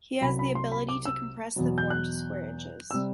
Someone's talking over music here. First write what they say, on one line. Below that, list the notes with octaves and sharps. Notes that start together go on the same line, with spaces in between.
He has the ability to compress the form to square inches.
C2 C3 F#3 B5
B5
C6
B5
D6
E6
E2 B2 F#3
G6
F#6
C3 G3 E6